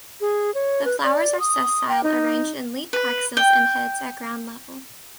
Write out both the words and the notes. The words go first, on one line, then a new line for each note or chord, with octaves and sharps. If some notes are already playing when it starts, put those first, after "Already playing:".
The flowers are sessile arranged in leaf axils in heads at ground level.
G#4
C#5
B4
D5
D#6
G5
D#4
B4
G5